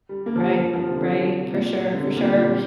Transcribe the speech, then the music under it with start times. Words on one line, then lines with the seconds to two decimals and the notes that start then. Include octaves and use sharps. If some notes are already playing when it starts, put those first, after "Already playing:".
Right, right, for sure, for sure.
0.09 G3
0.26 A#3
0.36 F3
0.42 G3
0.58 F3
0.74 F3
0.86 C3
0.90 D3
1.00 F3
1.11 G3
1.22 F3
1.38 C3
1.53 A#2
1.86 C3
1.94 D3
2.02 C3
2.17 A#2
2.28 A#2
2.39 C3